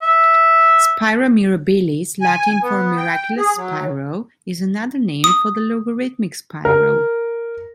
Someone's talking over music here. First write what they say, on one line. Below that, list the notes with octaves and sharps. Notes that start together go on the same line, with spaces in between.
Spira mirabilis, Latin for "miraculous spiral", is another name for the logarithmic spiral.
E5
G#5
B3
G5
G#4
F#3
D#6
A#4